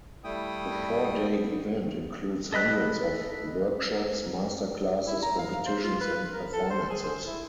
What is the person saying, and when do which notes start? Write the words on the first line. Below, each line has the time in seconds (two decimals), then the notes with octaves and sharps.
The four-day event includes hundreds of workshops, masterclasses, competitions, and performances.
0.24 G3 A3 E4 G5 D#6
2.53 A4 D#5 B5 F#6
5.07 E4
5.23 A#5
5.39 F5
5.66 C5
5.83 F4
6.01 B4
6.33 A#4
6.53 A4
6.70 C5
6.90 G#4
7.04 C5
7.27 E4